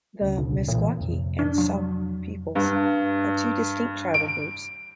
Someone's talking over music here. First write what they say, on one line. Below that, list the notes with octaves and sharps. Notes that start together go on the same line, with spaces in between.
The Meskwaki and Sauk peoples are two distinct tribal groups.
D2 C#3
B1
A#2 E3
F2 C3
D4
F#3
G2
D7